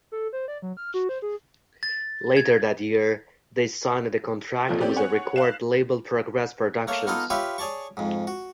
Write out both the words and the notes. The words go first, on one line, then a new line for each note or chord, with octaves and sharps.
Later that year, they signed a contract with the record label Progress Productions.
A4
C5
D5
F#3
F6
F#4
C5
G#4
A6
G#6
A1 F2 A#2 F3 A3
A3 C4 C#4 G4 D5
C#5 F#5 G#5
F5 F#6 C7 E7
A3 A#3 C#5
A#3 B3 D#4 F4 A4 A#4
F4 G4 B4 C#5 E5
G#4 C#5 D5 A5 C#6
F2 G#2
F#4